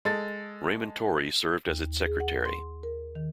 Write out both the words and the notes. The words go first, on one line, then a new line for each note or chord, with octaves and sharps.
Raymond Torrey served as its Secretary.
G#3 A4 A6
D#2
G#4
F#5
C6
A#4
D#3